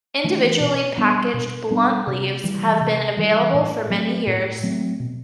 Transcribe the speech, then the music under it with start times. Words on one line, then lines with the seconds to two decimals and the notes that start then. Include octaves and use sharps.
Individually packaged blunt leaves have been available for many years.
0.24 E3 A3 D4
0.60 B2
0.98 G3 B3 D4
1.34 B2
1.71 G3 B3 D4
2.07 C3
2.44 E3 G3
2.81 C3
3.17 E3 G3
3.54 A2
3.90 F#3 A3 C4
4.27 A2
4.63 F#3 A3 C4
5.00 B2